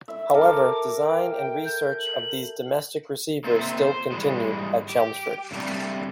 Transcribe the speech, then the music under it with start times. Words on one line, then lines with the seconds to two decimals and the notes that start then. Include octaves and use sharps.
However, design and research of these domestic receivers still continued at Chelmsford.
0.08 E5
0.34 A4 A#4 D6
1.01 G5
1.34 G5
1.65 G6
2.00 F#7
3.44 A#3 C4 F4 G#4 C5 E5
3.81 C5
4.11 G#2 E3 G3 G#3
4.89 G4
5.51 G2 C3 G3 A3